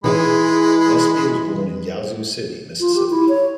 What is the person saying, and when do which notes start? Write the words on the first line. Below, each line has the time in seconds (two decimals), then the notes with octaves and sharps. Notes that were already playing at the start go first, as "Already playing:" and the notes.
Espy was born in Yazoo City, Mississippi.
0.04 E3 G#3 E4 G#4 B5
2.80 F4
2.95 G4
3.10 E4
3.29 C#5